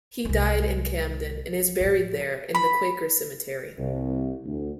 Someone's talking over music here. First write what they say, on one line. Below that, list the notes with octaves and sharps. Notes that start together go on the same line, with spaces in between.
He died in Camden and is buried there in the Quaker Cemetery.
C2 G#3
A2 F3
B5
C2
D2